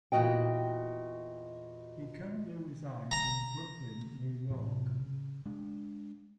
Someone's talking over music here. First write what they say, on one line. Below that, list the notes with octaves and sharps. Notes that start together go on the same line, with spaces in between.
He currently resides in Brooklyn, New York.
E2 A#2 A#3 F#4 D#5 G5
A#5
A2 C3 E3 F#3
C#3
G#3 D4